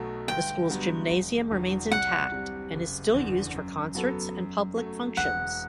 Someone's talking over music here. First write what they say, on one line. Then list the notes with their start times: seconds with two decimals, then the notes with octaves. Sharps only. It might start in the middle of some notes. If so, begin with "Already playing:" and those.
The school's gymnasium remains intact and is still used for concerts and public functions.
Already playing: B1 B2 F#3 A3
0.28 G1 G5
0.70 G2 F#3 B3
1.10 E1
1.51 E2 D3 F#3
1.91 C2 F#5
2.32 C3 G3
2.73 F#1
3.14 E2 D3
3.55 F#2
3.95 F#3 B3 F#4 A4
4.36 F#2
4.76 F#3 A3
5.17 E1 F#5